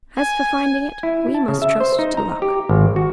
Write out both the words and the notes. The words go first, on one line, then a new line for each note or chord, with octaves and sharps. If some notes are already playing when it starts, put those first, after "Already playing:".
"As for finding it, we must trust to luck."
G#5
E4
A5
C#3
E5
C5
D#4
A#5
G4
G#1
F#4